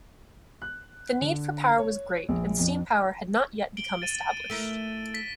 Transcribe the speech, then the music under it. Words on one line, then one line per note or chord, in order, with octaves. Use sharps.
The need for power was great and steam power had not yet become established.
F#6
D3
C#5
A#1
F2
D7 F#7 G7
A6 D#7 E7
A3 E4 A#4 D#7
B6